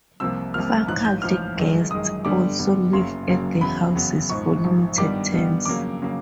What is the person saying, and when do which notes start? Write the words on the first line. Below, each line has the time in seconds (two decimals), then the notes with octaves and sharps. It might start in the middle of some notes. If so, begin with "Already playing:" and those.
Faculty guests also live at the houses for limited terms.
0.20 C2 C3 F3 A#3 E6
0.54 C2 C3 F3 A#3 F6
0.88 A1 G#2 F3 F#6
1.05 G6
1.22 A1 G#2 F3 F6
1.57 G1 F#2 D#3 G#3
1.91 G1 F#2 D#3 G#3 D#6
2.25 G2 D3 G3 B3 D6
2.59 G2 D3 G3 B3
2.93 F#1 F#2 C#3 F#3 A#3 C6
3.27 F#1 F#2 C#3 F#3 A#3
3.61 F#1 E2 C#3 F#3 B3 B5
3.95 F#1 E2 C#3 F#3 B3
4.30 A#1 G#2 F3 C#6
4.64 A#1 G#2 F3
4.97 G2 D#3 G3 B3 D6
5.32 G2 D#3 G3 B3
5.65 F2 C#3 F#3 A#3 D6
6.02 C#3 F#3 A#3